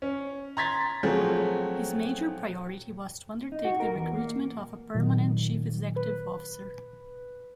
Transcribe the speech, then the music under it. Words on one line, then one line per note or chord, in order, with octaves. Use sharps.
His major priority was to undertake the recruitment of a permanent chief executive officer.
C#4
A#5 C6 G#6 A6 B6
F3 F#3 A3 C4 G#4
D#4
F#4
A#4
E2
A#3
A#2 D#3 F#3
B4